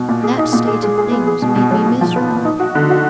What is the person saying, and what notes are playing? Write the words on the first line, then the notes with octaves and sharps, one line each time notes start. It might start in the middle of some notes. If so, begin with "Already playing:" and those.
That state of things made me miserable.
Already playing: B2
A#2
G#4
D#4
A#2
G#4
G#3
G#4
B3
G#4
B2
B2
F#3
A#2
F3
B3
A#2
D#4
F#4
D3
F#4